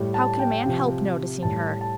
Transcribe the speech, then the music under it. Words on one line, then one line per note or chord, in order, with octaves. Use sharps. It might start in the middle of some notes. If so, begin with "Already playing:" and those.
How could a man help noticing her?
Already playing: A2 G3
A5
G5
C3 F3
A2 G3 A5
A5